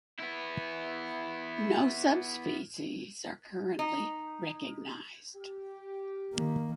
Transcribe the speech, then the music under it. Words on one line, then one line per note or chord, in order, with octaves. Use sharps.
No subspecies are currently recognised.
B3 E4
D#4
G4
D#3 A#3